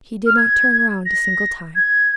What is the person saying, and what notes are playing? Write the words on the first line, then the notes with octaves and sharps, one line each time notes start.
He did not turn round a single time.
F6
G#6
A#6
G#6